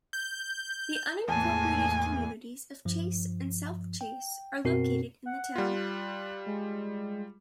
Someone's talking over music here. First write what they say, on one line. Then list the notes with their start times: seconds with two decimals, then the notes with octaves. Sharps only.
The unincorporated communities of Chase and South Chase are located in the town.
0.13 G6
1.28 E2 A2 A#3 G#5 A5
2.85 G2 F3
4.01 G5
4.65 F#2 B2 C4 F#4 A#4 C7
5.26 F#5
5.56 G3 F4
5.74 F#6
6.46 G#3